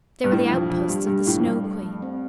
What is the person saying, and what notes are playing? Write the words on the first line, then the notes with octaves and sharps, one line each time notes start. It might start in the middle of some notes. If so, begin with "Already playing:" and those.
They were the outposts of the Snow Queen.
G2
A2 D4
F2 F5
F2 D4
G2 G4
G2 D4
A2 F5
F2
G2 A3
A4
A3
C4